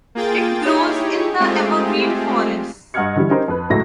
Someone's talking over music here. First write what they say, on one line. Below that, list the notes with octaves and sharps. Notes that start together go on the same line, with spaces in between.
It grows in the evergreen forests.
A#3 F4 G#4 G5 A6
D#4 E4 G4 G#4 C#5
G#3 A3 C4 F4 G4 G#4
G2 D#5 F#5 F6 G#6 C#7
D3 E3 G3
C#4 D#4 G4 A#4 C5
F2 B4
C#2 A2 F#3 A4 A#6